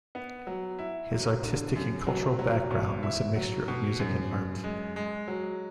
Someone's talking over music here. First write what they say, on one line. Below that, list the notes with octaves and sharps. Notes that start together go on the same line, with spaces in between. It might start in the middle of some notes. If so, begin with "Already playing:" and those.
His artistic and cultural background was a mixture of music and art.
B3
F#3
E4
F#3
D3
F#2
F#3
F#3
B2
E4
F#3
B2
F#2
F#2
G#3
G#3
F#3